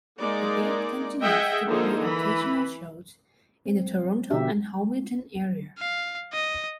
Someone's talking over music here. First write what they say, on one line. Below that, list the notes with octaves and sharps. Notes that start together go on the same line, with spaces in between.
The band continues to play occasional shows in the Toronto and Hamilton area.
G#3 A#3 D#4 D5
G#4 D#5 E5 F#5 G5
D3 F3 A#3 D#4 G#4 C5
E3 B5
C4
B2 D3 F3 F#4 G4 E5
F5
D#5